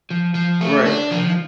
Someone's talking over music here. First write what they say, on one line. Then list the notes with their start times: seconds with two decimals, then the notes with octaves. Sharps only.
Right, mhm.
0.10 F3
0.35 F3
0.61 A3
0.86 D4
1.11 F3